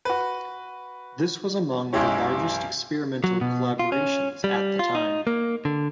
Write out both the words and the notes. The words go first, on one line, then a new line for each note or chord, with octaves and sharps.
This was among the largest experimental collaborations at the time.
F#4 B4
B1 F#2 G#3 E4 G4 C#5
F#3
B2
F4
C#4
G3
F4
D#4
A#3
D3